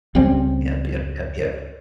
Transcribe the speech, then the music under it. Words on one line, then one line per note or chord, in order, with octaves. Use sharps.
Yep, yep, yep, yep.
C#2 G3 C4 C#4